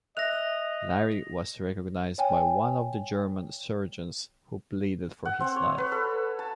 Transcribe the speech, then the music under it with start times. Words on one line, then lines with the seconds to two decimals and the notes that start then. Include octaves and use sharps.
Larrey was recognized by one of the German surgeons, who pleaded for his life.
0.17 D#5 E5 E6 F#6 A#6 F7
2.18 C#5 G5 G#5
5.25 F#5
5.40 C4
5.56 C#5
5.78 B4
5.92 A4
6.39 A5